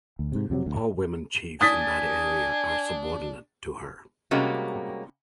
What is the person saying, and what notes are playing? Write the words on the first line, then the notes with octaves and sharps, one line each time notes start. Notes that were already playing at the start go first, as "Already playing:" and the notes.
All women Chiefs in that area are subordinate to her.
D2
G#2 C3
F2 C3 F3 F#3
D2
D4 G#5 D#6 A6 B6
C3 G3 G#3 A#3 C#4 F#4